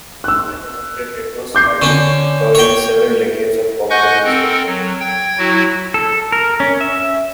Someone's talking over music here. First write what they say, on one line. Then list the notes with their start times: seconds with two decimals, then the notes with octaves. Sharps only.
The band adopted retro styles covering several decades of popular music.
0.24 E6 F#6
1.55 D6 G6 C7
1.82 D3 C#4 C#6
2.55 C#5 G5
3.90 D#5 F#5 G#5 C#6 F#6 G6
4.24 C4 A4 A#4
4.66 F#3
5.00 G5 G#6
5.39 F#3 E4 F#4
5.94 A4
6.32 A#4
6.60 C#4
6.81 E5